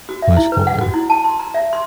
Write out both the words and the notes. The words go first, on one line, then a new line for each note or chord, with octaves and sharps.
Much colder.
F#4
E5
E4
B4
F#5
F#4
E4
A5
C6
A#5
E5
C6